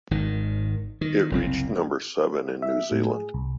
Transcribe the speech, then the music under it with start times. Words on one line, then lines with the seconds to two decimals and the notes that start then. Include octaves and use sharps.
It reached number seven in New Zealand.
0.11 G#1 D#3
1.01 D#3
1.32 F#1 C2 C4
2.62 E5
2.92 A2
3.09 G#4
3.34 C2